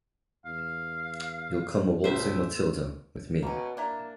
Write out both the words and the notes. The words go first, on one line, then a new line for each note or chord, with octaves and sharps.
You'll come a-waltzing Matilda, with me.
E2 F5
C#2 A#2 C5 E5
B2 A#3 C#4
A#3 D4 E4 A#5